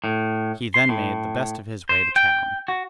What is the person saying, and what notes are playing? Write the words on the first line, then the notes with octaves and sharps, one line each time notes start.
He then made the best of his way to town.
A2
C6
A2
C5
G5
F#4